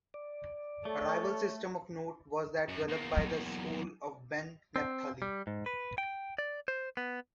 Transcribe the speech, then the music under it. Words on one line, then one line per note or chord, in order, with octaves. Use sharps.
A rival system of note was that developed by the school of ben Naphtali.
D5
A3 A4 C#5
F#2 F#4
E2 A#3
F#3
C4
G3
G#2
B4
G5
D5
C5
B3